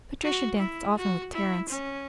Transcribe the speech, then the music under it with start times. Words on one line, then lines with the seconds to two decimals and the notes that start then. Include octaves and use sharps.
Patricia danced often with Terence.
0.23 F#4
0.59 E4
0.97 F#4
1.33 E4
1.69 C#4